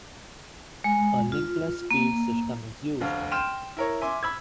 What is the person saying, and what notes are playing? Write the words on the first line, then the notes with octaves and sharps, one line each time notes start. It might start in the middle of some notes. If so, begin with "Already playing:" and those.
A linkless feed system is used.
G#3
F4
A#3
F1 D2 F5
G5 C6 F6 E7
E4 A#4 C#5
E5 G#5 C6 D6
B5 E6 G#6